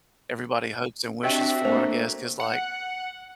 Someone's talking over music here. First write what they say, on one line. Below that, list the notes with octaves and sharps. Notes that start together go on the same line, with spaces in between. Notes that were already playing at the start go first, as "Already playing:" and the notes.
everybody hopes and wishes for, I guess, 'cause, like
C4 D4 F#4 G4 D#5 E5 G5
A3 A#3 C5
F#5